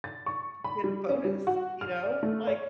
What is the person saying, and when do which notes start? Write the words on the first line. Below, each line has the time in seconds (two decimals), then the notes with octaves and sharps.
get a bonus, you know, like
0.04 A6
0.26 C#6
0.64 B5
0.84 G3
1.09 C#4
1.25 G3
1.47 F#4
1.81 F6
2.04 D5
2.23 A3
2.47 C#5